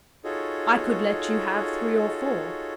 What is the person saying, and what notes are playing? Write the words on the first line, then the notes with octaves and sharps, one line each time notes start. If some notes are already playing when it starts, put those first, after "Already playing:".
I could let you have three or four.
D#4 F4 F#4 G#4 A4 C#5